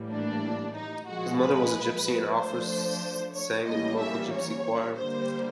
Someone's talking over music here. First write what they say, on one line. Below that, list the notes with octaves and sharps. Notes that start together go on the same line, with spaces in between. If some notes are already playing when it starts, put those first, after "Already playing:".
His mother was a gypsy and often sang in the local gypsy choir.
Already playing: A2 E3 G3 A#3
D4
D#4
A#2 F3 G#3 F#4
B4
F3 A3 D4 C5
C#5
E3 G3 A#3 C#4 D#5
E5
C#5
D3 G3 A#3 C5